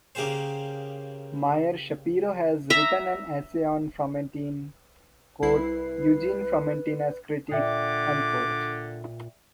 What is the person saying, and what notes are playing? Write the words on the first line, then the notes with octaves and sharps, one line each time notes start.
Meyer Schapiro has written an essay on Fromentin, "Eugene Fromentin as Critic".
C#3 A#3 G4 G#4 C5
E5 A#5
C2 E4 B4 C7
A#2 D3 D5 E5 G5 D6